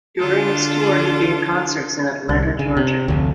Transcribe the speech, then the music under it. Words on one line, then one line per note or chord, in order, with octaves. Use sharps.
During this tour, he gave concerts in Atlanta, Georgia.
D3 D4 F4 A4 A6
C2
C#3
C3
F1 D2